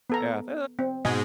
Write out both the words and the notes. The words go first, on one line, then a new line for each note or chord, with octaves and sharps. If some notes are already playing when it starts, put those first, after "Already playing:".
Yeah, i
B3 A4 A#5
C4
G#2 B2 G#3 D#5 G#5